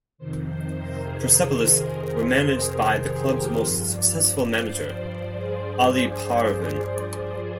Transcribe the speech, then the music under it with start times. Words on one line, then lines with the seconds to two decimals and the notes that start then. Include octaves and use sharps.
Persepolis were managed by the club's most successful manager Ali Parvin.
0.18 F2 C3 D#3 C5
0.47 C5
0.76 A#4
1.04 G#4
1.90 A#4
2.18 C5
2.47 C5
2.75 A#4
3.18 G4
3.61 G2 F3
3.89 D5
4.18 D5
4.46 C5
4.75 D5
5.04 C5
5.33 G#4